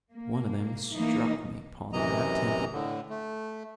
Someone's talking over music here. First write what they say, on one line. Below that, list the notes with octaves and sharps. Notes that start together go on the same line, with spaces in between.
One of them struck me upon the right temple.
A#3
E3 A#3 D#4
F#2 C3 E3 D#5 A#5
A2 D3
A3